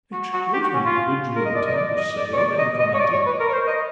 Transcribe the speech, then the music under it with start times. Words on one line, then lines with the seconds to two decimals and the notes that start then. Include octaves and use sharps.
"Excuse me, did you intend to sail in the Carnatic?"
0.13 F#4
0.33 F#4
0.54 G4
0.63 F#4
0.74 C#4
0.85 F4
1.36 A#4
1.45 D#5
1.56 D5
1.66 D#5
1.76 D5
1.97 D#5
2.18 D5
2.33 C#5
2.38 D5
2.58 D#5
2.79 D#5
2.94 C#5
3.00 D5
3.12 C#5
3.26 B4
3.40 A#4
3.49 C#5
3.53 C5
3.67 D#5